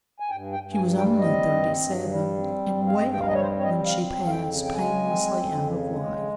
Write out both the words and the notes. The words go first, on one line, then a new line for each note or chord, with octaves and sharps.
She was only thirty-seven and "well" when she passed painlessly out of life.
G#5
G2 G5
G5
G2
G#5
G3
G5
C4 D#5
G2
G2
G3
C4
G2
F5
G2 D#5
G5
F5
G3 D#5
C#5
C5
C4 C#5
D#5
C4 F5
F2
F5
G5
C#3
G5
G#3 G#5
C4
F2
C#3
G#3